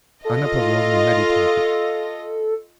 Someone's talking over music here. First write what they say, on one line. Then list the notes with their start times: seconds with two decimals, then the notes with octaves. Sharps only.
Anna Pavlovna meditated.
0.25 F4 A4 D#5